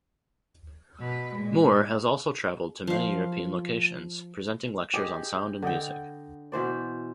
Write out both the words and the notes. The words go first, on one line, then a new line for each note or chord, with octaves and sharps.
Moore has also travelled to many European locations, presenting lectures on sound and music.
B2 B4
A#2 G#3
F3 F5
G4 G#4 D#5
D3 D#5 F#5 G5
B2 E3 C5 D5